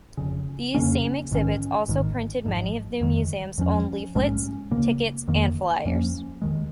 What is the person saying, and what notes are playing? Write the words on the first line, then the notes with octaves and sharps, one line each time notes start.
These same exhibits also printed many of the museum's own leaflets, tickets and flyers.
F1 F2 C#3
F2 C#3 A#3 C#4
A#1 G#2 D#3 C#4
G#1 G#2 D#3
G#1 G#2 F3
F2 D#3 G#3
F2 F3 C#4
A#1 G#2 G#3 C#4
C#2 C#3 A#3
F1 F2 D#3 A#3
F2 F3 A#3 C#4
D#2 D#3 G#3